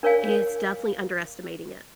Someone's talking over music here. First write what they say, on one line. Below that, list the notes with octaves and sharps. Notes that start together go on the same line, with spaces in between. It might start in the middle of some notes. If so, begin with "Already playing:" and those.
It's definitely underestimating it.
D4 A#4 C#5 D5 F5 G#5